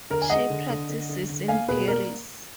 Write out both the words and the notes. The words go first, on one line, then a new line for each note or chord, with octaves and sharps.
She practices in Paris.
D3 A#4
G#5
G#3 D#5 F#5
D3
D3
D3
D3
D3
A#3 F5 G#5
B2 G#4 B4
A#3 A#4 D5